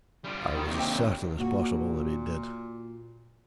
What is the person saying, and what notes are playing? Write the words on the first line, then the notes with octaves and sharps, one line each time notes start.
I was as certain as possible that he did.
G3 F4
D#3 E4 G4
D#2 C3
C5 D#5 G5
D4 C#5
A#2 A#3 F#4